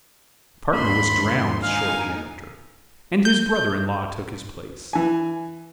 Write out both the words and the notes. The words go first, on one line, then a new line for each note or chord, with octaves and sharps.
The partner was drowned shortly after, and his brother-in-law took his place.
D#2 G#2 A#3 D4 F4 B5 C6
D#4 F5 G#5
G6
E3 G#5